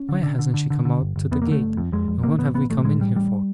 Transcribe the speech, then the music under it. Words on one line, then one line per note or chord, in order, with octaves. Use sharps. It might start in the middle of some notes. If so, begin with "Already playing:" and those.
Why hasn't she come out to the gate, and what have we come in here for?
Already playing: C#4
D3
D3
D3
D3
D3
D3
G1
G1
F2 B3
A#3
D3 A3
G1
F2
F2 G#3
F2
A1 A#3
A1 B3
A1 B3
A1 A3
A2 G#3
A1 G3
A1 G3